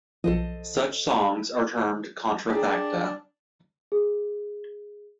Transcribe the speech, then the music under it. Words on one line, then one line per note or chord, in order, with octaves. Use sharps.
Such songs are termed contrafacta.
B1 F3 A4 C5 D#5
D4 G4 G#4 A#4
G#4